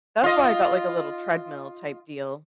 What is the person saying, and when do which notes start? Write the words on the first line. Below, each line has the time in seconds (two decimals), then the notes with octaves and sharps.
that's why I got, like, a little treadmill type deal.
0.23 F4 D#5